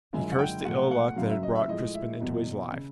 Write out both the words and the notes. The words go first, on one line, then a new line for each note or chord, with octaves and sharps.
He cursed the ill-luck that had brought Crispin into his life.
F#1 F#2 D3 F3 G#3 G#5
F#5
G5
B1 A#2 F3 A3 F#5
F#5
F#1 F#2 C#3 F#3 F5
E5
D#5
E5
A2 F3 G#3 D#5
E5
F#1 E2 B2
C#3